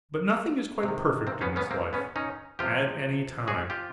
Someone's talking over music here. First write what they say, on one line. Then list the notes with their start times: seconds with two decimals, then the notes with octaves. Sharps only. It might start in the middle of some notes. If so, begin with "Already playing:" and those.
But nothing is quite perfect in this life, at any time.
0.83 C3 D#3
1.27 A#3 C4
1.41 B3 C#4
1.56 B3 C#4
1.71 A#3 C4
1.93 B3 C#4
2.16 C#4 D#4
2.59 C3 F3 F4 G4
3.47 F#4 G#4
3.70 F4 G4